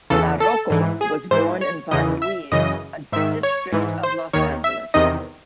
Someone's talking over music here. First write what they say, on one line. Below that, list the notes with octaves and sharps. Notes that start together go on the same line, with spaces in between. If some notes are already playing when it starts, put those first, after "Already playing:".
LaRocco was born in Van Nuys, a district of Los Angeles.
E2 C#3 E3 A4
A4
G#2 E3
G#4
G#2 E3 C5
C#5
E2 C#3 E3 D#5
E5
F#2 C#3 E3 D#5
G#2 D#3 E5
C#5
G#2 E3
C5
D#2 D#3 C#5
E5
E2 C3 D#3 D#5